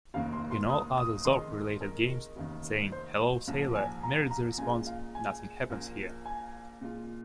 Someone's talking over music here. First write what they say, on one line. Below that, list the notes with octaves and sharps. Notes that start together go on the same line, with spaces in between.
In all other "Zork"-related games, saying "Hello, sailor" merits the response "Nothing happens here".
F1 D#2 D#3 A#3 F5
C6
C6
D#6
D#6
F2 D#3 G#3 D#4 C6
A#4
F1 D#2 D#3
C5
A#1 G#2 F3
G#5
A#5
A#5
A#2 G#3 F4 G#5
F5
G#5
A#1 A#2 A#3 F4
G#5
A#2 G#3 F4